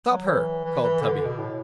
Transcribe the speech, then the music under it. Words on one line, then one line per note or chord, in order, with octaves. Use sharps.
'Stop her! called Tubby.
F#3
E3
E3
E3
D3
D3
B2
A2